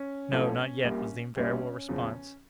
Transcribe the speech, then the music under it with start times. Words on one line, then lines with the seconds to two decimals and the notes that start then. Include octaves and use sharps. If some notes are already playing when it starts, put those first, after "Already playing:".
"No, not yet," was the invariable response.
Already playing: C#4
0.32 A1 A2 F3 A3
0.84 A#1 A#2 G3
1.36 A#1 A#2 G3 C#4
1.88 E2 C#3 F3